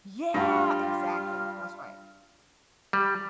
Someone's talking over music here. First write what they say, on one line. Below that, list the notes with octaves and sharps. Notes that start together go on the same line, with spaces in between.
Yeah, exactly that's right.
G2 G3 F4 F6
G3